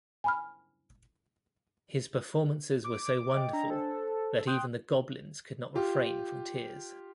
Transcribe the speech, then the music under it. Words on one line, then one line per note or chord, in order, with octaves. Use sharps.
His performances were so wonderful that even the goblins could not refrain from tears.
G#5 B5 F6
D6
D#5 G5
D4 A#5
A4 C5
G5 C6 D#6 F#6
F4 G4